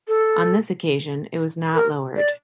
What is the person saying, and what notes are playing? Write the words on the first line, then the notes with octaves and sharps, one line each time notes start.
On this occasion it was not lowered.
A4
A#4
D5